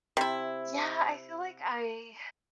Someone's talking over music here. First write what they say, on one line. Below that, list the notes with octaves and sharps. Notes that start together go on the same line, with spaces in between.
Yeah. I feel like I
C3 E4